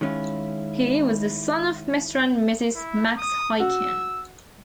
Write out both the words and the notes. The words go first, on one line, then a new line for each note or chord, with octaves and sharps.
He was the son of Mr. and Mrs. Max Hiken.
D#3 G#3 C#4 E4 F4
E4
D#6
F#4 E6